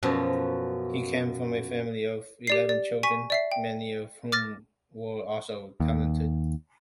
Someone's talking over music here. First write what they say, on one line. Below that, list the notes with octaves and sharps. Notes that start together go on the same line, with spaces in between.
He came from a family of eleven children, many of whom were also talented.
F#2 B2 F3
G4 D5 C7
D5
G#5 C#6 B6 D#7
D5 E5 C7
G5
D6 F6 A6 A#6
D#2